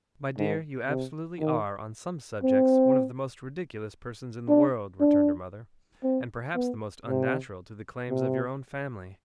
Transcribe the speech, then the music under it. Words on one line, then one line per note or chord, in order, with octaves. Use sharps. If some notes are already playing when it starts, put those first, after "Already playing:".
'My dear, you absolutely are, on some subjects, one of the most ridiculous persons in the world,' returned her mother, 'and perhaps the most unnatural to the claims of your own family.
G#2
C3
D#3
C4
D4
D4
C4
B3
C3
C3